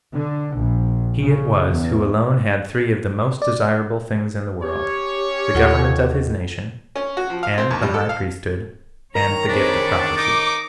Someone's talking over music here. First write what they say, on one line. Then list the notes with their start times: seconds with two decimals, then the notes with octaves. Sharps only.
He it was who alone had three of the most desirable things in the world,--the government of his nation, and the high priesthood, and the gift of prophecy.
0.14 D3
0.58 A#1
1.21 C#3
1.68 E2
3.42 D5
4.62 C#4 G4 C#5
5.55 D#2 F4 A4 F#5
6.95 C#4
7.17 F#4
7.30 F3
7.43 F5
7.58 C4
7.71 D#2
7.83 G3
7.94 A4
8.09 F5
9.15 D#3 A#4 C#5 A#5
9.49 C4 D4 G#4 B5
10.17 D#4 D6